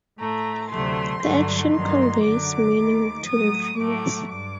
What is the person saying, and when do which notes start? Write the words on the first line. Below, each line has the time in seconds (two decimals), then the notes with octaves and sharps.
The action conveys meaning to the viewers.
0.18 A2 A3 A#5
0.69 D2 C3 F#3 A3 C6
1.21 G2 D3 F#3 A3
1.72 G2 D#3 F#3 A#3 C6
2.22 F#2 D3 F#3 D6
2.74 D#2 D#3 A3
3.25 A2 F#3 A3 D#6
3.76 A2 F#3 A3 D6
4.27 G2 D6